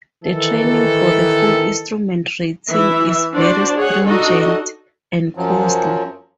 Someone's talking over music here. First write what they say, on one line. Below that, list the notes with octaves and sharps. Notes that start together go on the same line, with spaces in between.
The training for the full Instrument Rating is very stringent and costly.
D#3 E3 A4
E3 E5
D4 F#4 C5 D5
G#4 C#5 F#5
D4 D#4 F#4 A4 D#5
F#2 F3 F#3